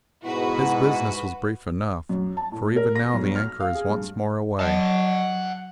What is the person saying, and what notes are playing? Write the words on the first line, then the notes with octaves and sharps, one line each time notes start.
His business was brief enough, for even now the anchor is once more away.
G#2 B2 E4 F#4 B4
F#2
A5
A2
A#4
A#6
B1
F6
F5
G#4
G2
F#3 D#5 F#5 A5